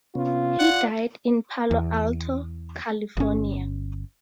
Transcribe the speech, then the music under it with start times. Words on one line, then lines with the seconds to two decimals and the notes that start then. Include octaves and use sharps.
He died in Palo Alto, California.
0.15 C3 B3 C#4 F4
0.59 D5 F#5
1.71 E2
3.17 G1 C#4